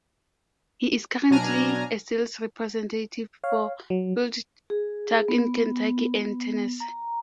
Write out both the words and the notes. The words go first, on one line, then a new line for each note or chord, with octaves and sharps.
He is currently a sales representative for FieldTurf in Kentucky and Tennessee.
B2 F#3 D4 G#5 A#5 F6
C#5 F5
F#3
G#4
B3
A#5